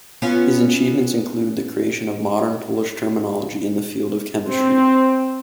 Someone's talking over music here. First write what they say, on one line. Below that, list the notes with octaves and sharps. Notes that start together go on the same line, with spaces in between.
His achievements include the creation of modern Polish terminology in the field of chemistry.
B3 C#4 F4
C4